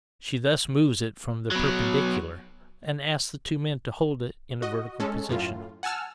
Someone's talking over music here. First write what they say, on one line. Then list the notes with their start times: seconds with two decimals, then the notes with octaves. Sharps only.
She thus moves it from the perpendicular and asks the two men to hold it in a vertical position.
1.52 B2 F#3
4.62 F#4 D#5
5.00 G#3 C#4 A4
5.29 F#2 A2 F4
5.83 F#5 G#5 A5 E6 F6